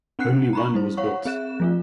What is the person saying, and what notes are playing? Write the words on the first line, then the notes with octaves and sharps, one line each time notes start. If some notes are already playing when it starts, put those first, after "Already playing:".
Only one was built.
C4 D4 F#5 F#6 C7 C#7
A#5 B5 C#6
G3 E4 C5
C#5 F5 F#5 C#6
C4 G#4 E5 F#6 E7
F3 A3 F4